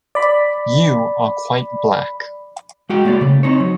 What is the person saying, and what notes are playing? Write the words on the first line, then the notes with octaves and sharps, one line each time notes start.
You are quite black.
D5 B5
G#3 F#4 G5
A3 A#3 C#5 D5
C#3
C4 D#4 C#5
F#3